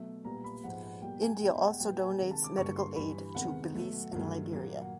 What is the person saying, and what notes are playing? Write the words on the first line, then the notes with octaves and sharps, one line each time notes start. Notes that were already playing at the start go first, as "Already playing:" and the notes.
India also donates Medical aid to Belize and Liberia.
Already playing: B2 F#3 A3 E5
A#2 G3 B3 A#5
B5
G#2 F3 G#3 B3 F#5
F#5
B2 G3 A#3 G5
G#5
E2 B2 G#3 G5
F#5
A#2 F#3 B3 G5
G#5
C3 D#3 G#3
A5
D6
G2 D3 G3 A#3 C#6
C6
G2 E3 G3 B5
E2 C3 D#3 G#3 B3 F#5
B2 F#3 A3
G2 D#3 F#3 A3
A#2 F#3 A#3
F#5